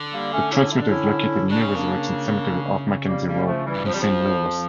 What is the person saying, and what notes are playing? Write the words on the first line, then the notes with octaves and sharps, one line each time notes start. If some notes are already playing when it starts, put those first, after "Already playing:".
The transmitter is located near Resurrection Cemetery off Mackenzie Road in Saint Louis.
Already playing: D3
G3 A#3
A3 C#4
C#4 E4
E4
D4
C#4 E4
C#3 D4
C#4
A#3 D4
G3 A#3
G3 A#3
F3 A3
E3 G3
G2
F2 F3
G3
F3